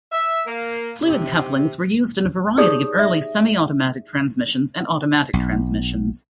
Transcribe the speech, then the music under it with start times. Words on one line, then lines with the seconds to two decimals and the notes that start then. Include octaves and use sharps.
Fluid couplings were used in a variety of early semi-automatic transmissions and automatic transmissions.
0.12 E5
0.47 A#3
1.05 C3
2.58 D#4 G4 G#4 C#5 D5 D#6
2.99 E5
5.33 B1